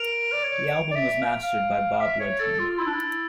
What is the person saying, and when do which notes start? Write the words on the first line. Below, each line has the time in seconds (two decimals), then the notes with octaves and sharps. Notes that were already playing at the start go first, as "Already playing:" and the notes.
The album was mastered by Bob Ludwig.
Already playing: A#4 D7 F7
0.32 D5
0.43 C#5
0.91 D5
0.95 E5
1.21 F5
1.42 F5
1.93 F5
2.01 E5
2.20 C#5
2.39 A4 A6
2.59 F4
2.79 E4 E6
2.86 D4
2.94 E4